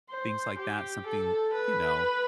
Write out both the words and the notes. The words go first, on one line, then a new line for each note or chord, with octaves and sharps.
things like that something, you know,
C5
G4
A4
B4